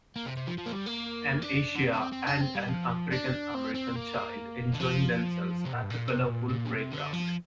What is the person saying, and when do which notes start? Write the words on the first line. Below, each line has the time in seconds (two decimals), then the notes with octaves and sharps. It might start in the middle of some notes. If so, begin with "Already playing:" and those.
An Asian and an African American child enjoying themselves at a colorful playground.
0.16 A#3
0.26 C3
0.37 C3
0.47 F3
0.58 F3
0.66 A#3
0.72 G3
0.86 A#3
1.42 D4
1.75 D3
1.84 C3
1.93 D4
1.98 C4
2.12 C4
2.27 D4
2.41 C4
2.55 G3
2.69 F3
3.12 D4
3.54 C4
3.75 C4
3.96 A#3
4.74 D3
4.80 F3
5.65 C3
5.73 A#2
5.83 G2
5.90 A#2
6.08 C3
6.29 A#2
6.50 A#2
6.66 D3
6.71 C3
6.93 D3
7.13 F3